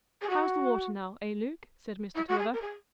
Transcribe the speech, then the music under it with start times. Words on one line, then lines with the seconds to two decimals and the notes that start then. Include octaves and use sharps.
"How's the water now, eh, Luke?" said Mr. Tulliver.
0.22 G#4
0.30 F#4
2.15 E4
2.28 F#4
2.38 G#4
2.53 A#4
2.62 G#4